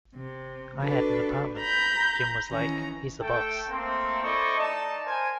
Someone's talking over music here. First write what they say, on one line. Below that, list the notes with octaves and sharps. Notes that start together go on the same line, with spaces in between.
I had an apartment; Jim was, like, "He's the Boss".
C3
D4 F#4 A4 B4
A#5 B5 G6
D#3 E3 C#4 A#5
A3 A4 G5
A3 A#3 C4
E4 A4 C5 D5 D#5 C#6
A3 D#4 D5 D#5 A5
A#4 C5 G#5